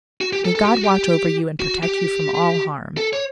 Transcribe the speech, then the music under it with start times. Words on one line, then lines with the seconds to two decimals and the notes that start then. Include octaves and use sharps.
May God watch over you and protect you from all harm.
0.21 F#4
0.33 G4
0.45 A4
0.55 A4
0.65 G4
0.74 F#4
0.84 G4
1.60 F#4
1.83 G4
2.97 A4
3.13 C#5